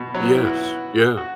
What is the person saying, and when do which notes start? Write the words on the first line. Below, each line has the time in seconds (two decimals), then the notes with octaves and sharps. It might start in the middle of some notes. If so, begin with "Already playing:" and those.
Yes. Yeah.
Already playing: B2
0.15 F#3
0.24 B3
0.35 E4
0.45 F#4
1.17 F#4